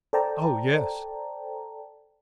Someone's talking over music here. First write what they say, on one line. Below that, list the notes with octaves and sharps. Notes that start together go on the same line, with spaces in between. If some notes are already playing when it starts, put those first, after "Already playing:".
"Oh yes!"
A4 C5 D5 G5 A5 A#5